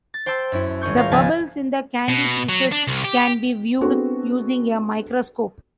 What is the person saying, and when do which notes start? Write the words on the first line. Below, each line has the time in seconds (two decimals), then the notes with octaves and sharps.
The bubbles in the candy pieces can be viewed using a microscope.
0.14 A6
0.26 C5 G5 A5 C6 E6
0.52 F#2 C#4 E4
0.81 G#1 G#4 C#6 G6
0.97 F4 A#4 C5 F5
1.12 C#2 F3 G#5 A5 B6
2.08 B2
2.49 F#3
2.72 D4
2.87 C2
3.05 G4
3.81 B3 C4 D4 F#4 G#4 A4